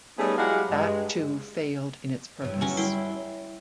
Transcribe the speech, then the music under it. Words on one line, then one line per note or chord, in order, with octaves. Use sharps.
That, too, failed in its purpose.
G3 A3 B3 C#4 D#4 G#4
F#3 G#3 E4 G4 F5 F#5
G2 G#3
G2 E3 C#5
F#3 C#4 C#6
E4 G5 C6